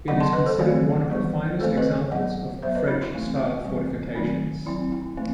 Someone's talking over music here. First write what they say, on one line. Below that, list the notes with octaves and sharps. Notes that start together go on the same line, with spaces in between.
It is considered one of the finest examples of French-style fortifications.
D#3 F#3 B3 D#5 F#5
A5 C6
B4 D#5
A4 C5
D#3 F#3 A3 C4
E3 G3 B3
D#3 A3 C4 A4 C5
B4 D#5
F#3 B3 D#5 F#5
F#3 B3 C5 E5
B4 D#5
D#4 F#4
E4
E3 A3 C4
E3 G3 C4
D#3 F#3 A3 C4 D#4
F#3 C4 E4
E4
E3 A3 C4